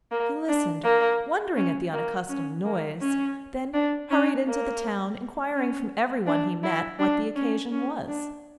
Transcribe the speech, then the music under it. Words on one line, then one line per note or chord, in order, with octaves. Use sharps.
He listened, wondering at the unaccustomed noise, then hurried into the town, inquiring from every one he met what the occasion was.
A#3
D4
A#3
C#4
A#3
C#4
A#3
C#4
D4
C#4
A#3
C#4
D4
E4
D4
C#4
C#4
D4